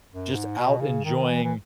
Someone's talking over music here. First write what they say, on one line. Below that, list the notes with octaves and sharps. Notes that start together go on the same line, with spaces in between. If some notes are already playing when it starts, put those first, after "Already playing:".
just out enjoying
F#2
G#2
B2
C#3
D#3
E3
E3